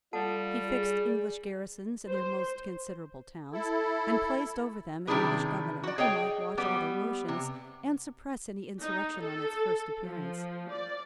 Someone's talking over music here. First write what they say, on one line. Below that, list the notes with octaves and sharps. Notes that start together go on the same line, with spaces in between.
He fixed English garrisons in their most considerable towns, and placed over them an English governor, who might watch all their motions, and suppress any insurrection on its first appearance.
G3 F4 A4 D5 F#5 A5
G#4
C5
E4 A4
C3 D#3 D4 E4 G#4 B4
F#4 D5
G#4 C#5 D#5 G5
G3 B3 G4
C3
D#4
A4
F3
D5